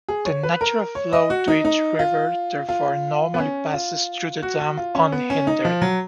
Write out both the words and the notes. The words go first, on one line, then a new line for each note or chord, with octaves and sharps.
The natural flow to each river therefore normally passes through the dam unhindered.
G#4
C#5
B4
A#4
C#5
D#5
F#4
D#4
D#4
F4
F4
B3
C#4
F4
F#4
F#4
F4
C#4
B3
C#4
D#4
F3
F#3